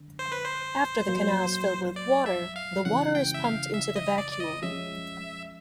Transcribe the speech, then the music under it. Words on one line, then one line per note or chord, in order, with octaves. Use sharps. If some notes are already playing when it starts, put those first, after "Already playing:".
After the canals fill with water, the water is pumped into the vacuole.
Already playing: D3
C5
B4
C5
A#2 F#3 A#3
D5
E5
F5
C#3 E3 G#3 C#4 F#5
G5
E5
F5
E5
D#5
D5
D5
D#5
F3 G#3 C#4 E5